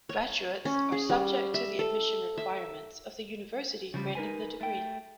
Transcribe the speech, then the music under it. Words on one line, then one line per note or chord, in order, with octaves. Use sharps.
Graduates are subject to the admission requirements of the university granting the degree.
C#5
C#4
G#4
G3
E5
A4
E5
C#3 F3 G3
D#4 A#4 B4 G#5
A3 G5